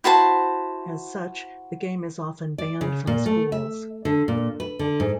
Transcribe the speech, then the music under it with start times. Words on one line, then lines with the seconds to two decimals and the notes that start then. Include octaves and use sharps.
As such, the game is often banned from schools.
0.04 E4 F#4 C5 A5
2.58 D5
2.81 C#3
3.07 A#2
3.26 A3
3.52 E5
4.05 D3
4.28 A#2
4.60 B4
4.79 D3
5.00 G#2